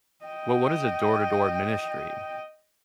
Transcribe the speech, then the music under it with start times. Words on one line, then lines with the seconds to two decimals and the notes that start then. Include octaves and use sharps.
well, what is a door-to-door ministry?
0.25 D#5 G5